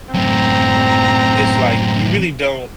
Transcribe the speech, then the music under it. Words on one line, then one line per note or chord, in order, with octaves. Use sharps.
it's like you really don't,
F#2 A2 C4 A#5